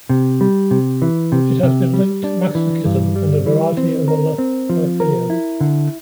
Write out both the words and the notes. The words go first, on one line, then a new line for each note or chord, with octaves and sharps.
It has been linked to masochism and a variety of other paraphilias.
C3
G3
C3
E3
C3
C3
G3
D4
E3
G2
G3
E3
C4
A#4
C4
F3
A#4
E4
D3